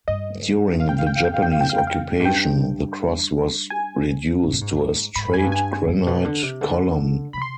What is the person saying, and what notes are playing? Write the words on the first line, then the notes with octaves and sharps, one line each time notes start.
During the Japanese occupation the cross was reduced to a straight granite column.
G2 D#5
F5
G5
F5
G5
F5
G5
F5
G5
F2 F5
G5
F5
G5
F5
G#2
G2 G5
G#5
G#2
B2
G#2
G#2 B5
G2
F2 G#5
G2
G#5
G2
B2
D3
C3
D3
C3 B5
C6